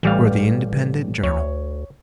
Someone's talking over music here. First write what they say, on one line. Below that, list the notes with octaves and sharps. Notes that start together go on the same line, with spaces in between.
For the Independent Journal.
A1 E3 G3 F5
D2 C#5